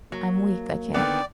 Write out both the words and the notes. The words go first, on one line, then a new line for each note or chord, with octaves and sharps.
I'm weak, I can't....
F#3 A#3
D3 D#3 B3 D5 G5